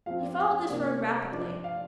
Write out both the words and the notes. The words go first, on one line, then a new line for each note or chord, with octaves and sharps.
He followed this road rapidly.
F3 C4 F5
D5
F5
C3 A#3 D4 D5
F3 D4 D5
D5
F5